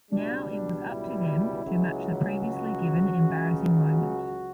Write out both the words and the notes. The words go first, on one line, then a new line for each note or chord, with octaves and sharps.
Now it was up to them to match the previously-given embarrassing moment.
C#2 B2 G3 D4
D4
E4
C#2 C#3 F#3
F#4
C#2 C#3 F#3
F#4